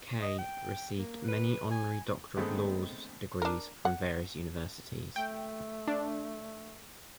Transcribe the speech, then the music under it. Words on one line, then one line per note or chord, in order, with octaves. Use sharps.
Kaye received many honorary Doctor of Laws degrees from various universities.
D#5
G5
A#3
B4
G#5
D3 D#3 G#3 A3 B3 C4
D4 A#4
F#5
A3 G5
D4